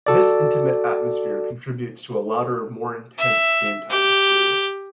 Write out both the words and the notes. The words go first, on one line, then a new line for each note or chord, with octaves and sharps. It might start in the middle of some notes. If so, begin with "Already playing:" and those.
This intimate atmosphere contributes to a louder, more intense gametime experience.
F#4 A4 D5
E5
G4